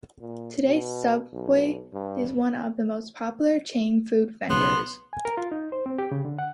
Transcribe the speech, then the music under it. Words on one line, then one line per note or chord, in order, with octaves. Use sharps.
Today, Subway is one of the most popular chain food vendors.
A#2
B2
B1
G2
B1 C#3 B3 C6
G#5
A#4
F4
D#4
C5
C4
G4
C#3
D3
F#5